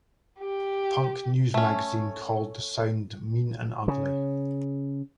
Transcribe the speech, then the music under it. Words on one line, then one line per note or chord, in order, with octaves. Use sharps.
Punk News magazine called the sound mean and ugly.
G4
A3 C#4
C#3